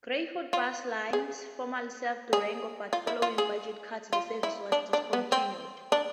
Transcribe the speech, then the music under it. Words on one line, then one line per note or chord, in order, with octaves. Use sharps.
Greyhound Bus Lines formerly served Durango, but following budget cuts the service was discontinued.
F4
G#4
G#4
F4
E4
F4
G#4
F4
E4
D4
D4
B3
C4
D4